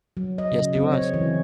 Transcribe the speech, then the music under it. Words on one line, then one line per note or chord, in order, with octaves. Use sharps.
Yes, he was.
F#3
D#5
C#3
C4
C#5
E3